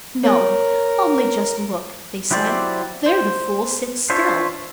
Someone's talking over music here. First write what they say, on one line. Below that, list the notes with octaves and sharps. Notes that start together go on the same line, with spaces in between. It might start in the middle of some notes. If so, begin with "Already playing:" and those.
"No! only just look," they said; "there the fool sits still."
A#4 C#5
F#3 E4 G4 C5 D5
C5
D4 F4 C5 C#5 E5